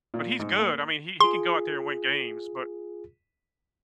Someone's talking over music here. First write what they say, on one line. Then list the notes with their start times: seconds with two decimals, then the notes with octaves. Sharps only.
but he's good. I mean, he he can go out there and win games, but
0.14 A#2
0.40 G#2
0.58 A#3
1.21 F4 G#4 C6